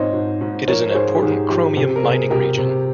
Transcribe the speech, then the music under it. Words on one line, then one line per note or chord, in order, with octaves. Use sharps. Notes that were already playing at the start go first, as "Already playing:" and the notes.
It is an important chromium mining region.
Already playing: G#2 C4 C5 C#5 D#5
G#2
G#2
F3 A#4 C#5
C#5
G#2 G#4 C5
G4
G#2 G#4
F3 G4
C3 G4
A#4
C3 G#4
C3 G4 A#4
C3